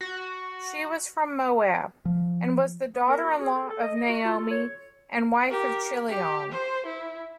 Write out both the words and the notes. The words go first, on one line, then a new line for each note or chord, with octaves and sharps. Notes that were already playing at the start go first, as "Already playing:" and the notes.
She was from Moab and was the daughter-in-law of Naomi and wife of Chilion.
F#4
F3
B3
A#4
F#4
G#4
A4
A4
D#5
D#5
F#4
F4
A4
C#5
G4 A#4
G4
C5
E4